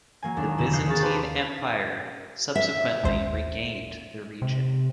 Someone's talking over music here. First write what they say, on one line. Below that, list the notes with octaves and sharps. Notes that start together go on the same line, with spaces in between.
The Byzantine Empire subsequently regained the region.
F#3 A#3 G#5
D#2 D4
F1 D3 E4 E7
F5 D#6 F#6 G6 C7 C#7
D#2 C#4 G#4 F5 C#6 A6
G4 B4 C5 A5 C6 D6
E5
G#1 D#2 C5
C3